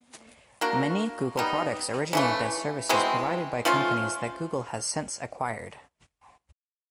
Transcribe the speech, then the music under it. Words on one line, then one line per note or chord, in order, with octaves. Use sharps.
Many Google products originated as services provided by companies that Google has since acquired.
A#3 D4 F#4 A#4
G3 B3 D#4
C#3 E3 A3
B2 G#3 C4 E4
F3 A3 C#4 F4